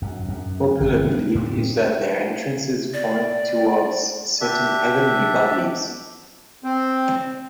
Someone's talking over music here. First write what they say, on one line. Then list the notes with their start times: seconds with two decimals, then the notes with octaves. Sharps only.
Popular belief is that their entrances point towards certain heavenly bodies.
0.02 F#2
0.29 F#2
0.80 G#1
1.05 B3
1.35 A2
1.56 C4
2.93 D5
4.41 D4 G4 E5
6.64 C4